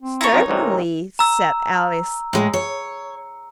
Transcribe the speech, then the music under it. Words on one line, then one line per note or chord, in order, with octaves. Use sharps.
'Certainly,' said Alice.
C4
D#4 E4 A4 C#5
F#2 F3 F#3 C4
A1 G#2 C3 G3
A#4
A#5 E6
A2 G#3
C#5